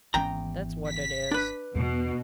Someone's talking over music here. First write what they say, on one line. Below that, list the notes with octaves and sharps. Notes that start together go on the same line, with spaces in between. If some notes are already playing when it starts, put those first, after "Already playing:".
That's what it is.'
G#1 E2 E3 C#4 G5 A#5
B6
D4 B4
E2 B2